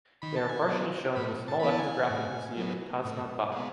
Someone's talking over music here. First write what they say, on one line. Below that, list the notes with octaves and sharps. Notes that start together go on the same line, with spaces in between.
They are partially shown in the small ethnographic museum in Tășnad-Băi.
D#3 B5
A5
G#5
A5
F#3 B3
A2 B5
A5
E3 B3 B5
A5
G#5
A2
F#3 B3
A2
G#3 B3